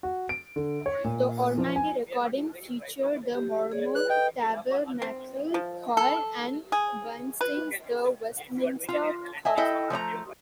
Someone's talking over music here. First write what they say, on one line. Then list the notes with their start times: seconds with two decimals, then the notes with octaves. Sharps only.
The Ormandy recording featured the Mormon Tabernacle Choir, and Bernstein's the Westminster Choir.
0.03 F#4
0.29 D7
0.56 D3
0.86 C#5
1.04 A#2
1.58 F3
1.76 G#5
3.35 G4
3.72 G#4 C#5 D5
3.95 B4 F#6
4.10 A4 D#5 G5
5.02 C4
5.54 F3
5.97 A4
6.72 G#4
7.41 B4
8.89 F4
9.45 D#5 E5 G#5
9.57 E4 A4 D#5 E5 G5
9.90 F3 A3 D5 A#5